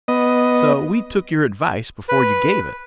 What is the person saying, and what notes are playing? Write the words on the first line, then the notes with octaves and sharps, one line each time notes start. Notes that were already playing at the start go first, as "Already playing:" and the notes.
So we took your advice before you gave it.
B3 D#5
B4